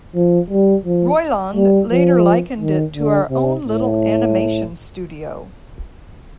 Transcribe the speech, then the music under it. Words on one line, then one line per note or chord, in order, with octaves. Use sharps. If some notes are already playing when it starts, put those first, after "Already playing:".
Roiland later likened it to our own little animation studio.
F3
G3
F3
G3
F3
D#3
D3
C3
A2